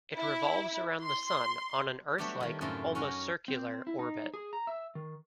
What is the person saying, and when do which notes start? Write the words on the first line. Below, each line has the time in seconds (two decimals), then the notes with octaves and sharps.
It revolves around the Sun on an Earth-like, almost circular, orbit.
0.16 E4
1.04 C6
2.18 F#3 G3 A3 B3 D4 G4
2.40 D#3 G3
2.61 F#2 A2 C3 D#4 F4 E5
2.95 C#4 D#4 F#4 A#4 D#5 F#5
3.48 C4
3.87 E4
3.99 D#4
4.34 G#4
4.53 A#5
4.67 E5
4.95 D#3